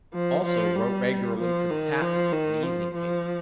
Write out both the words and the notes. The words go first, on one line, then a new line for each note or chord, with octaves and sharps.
Also wrote regularly for the "Tattler," an evening paper.
F3
F3
G3
F3
D#3
F3
D#3
F3
F3